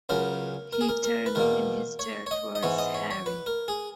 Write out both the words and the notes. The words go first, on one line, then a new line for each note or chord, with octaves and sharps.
He turned in his chair towards Harry.
C#2 C#3 F#3 A#4
A#4
G#4
A#4
A#4
B4
E2 B2 A#3 A#4
C#5
C#5
D#5
D#5
G#2 E3 B3 C#5
D#5
C#5
C#5
B4
A#4
G#4